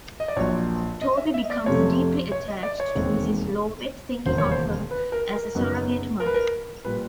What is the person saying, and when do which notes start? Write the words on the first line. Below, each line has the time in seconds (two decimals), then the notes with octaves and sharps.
Toby becomes deeply attached to Mrs. Lovett, thinking of her as a surrogate mother.
0.20 D#5
0.28 D5
0.36 A#1 A#2 F#3 C#5
1.01 D#5
1.17 E5
1.34 E5
1.44 D#5
1.50 D5
1.66 F2 C3 F3 A3 C#4 C#5
2.32 C#5
2.48 D#5
2.63 D5
2.80 C#5
2.95 E1 D#2 D#3 G#3 C4
4.25 E1 D#2 C#3 F#3 C5
4.38 C#5
4.51 C5
4.91 B4
5.12 A#4
5.34 A#4
5.55 F#2 C#3 F#3 B3 D#4
6.20 A#4
6.26 B4
6.34 A#4
6.85 A#2 G3 B4